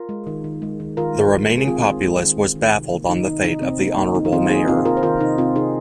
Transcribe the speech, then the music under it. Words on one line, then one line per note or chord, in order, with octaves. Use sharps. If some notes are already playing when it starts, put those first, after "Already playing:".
The remaining populace were baffled on the fate of the honorable mayor.
Already playing: F4 A#4
G#3
D#3
D#3
G#3
D#3
D#3 F4 A#4
G#3
D#3
G#3
G#4
D#3 C4 F4
G#3
G#3
D#3
D#3
D#3
C3
A#3
D#3 D#4
D#3 D#4
C3 D#4
C3 C4
A#3 D#4
A#3 D#4
D#3 D#4
D#4
D#3 C4 F4
A#3 D#4 G#4
C3 C4 F4
A#3 F4 A#4
C5
D#3 F4 A#4
C3 D#4
C3 C4 F4
C3 D#4 G#4